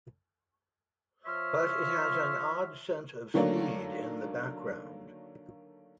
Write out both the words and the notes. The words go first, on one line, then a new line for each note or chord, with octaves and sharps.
But it has an odd sense of speed in the background.
F3 C5 C#5 E5 F6
D3 D#3 F#3 A3 A#3 D4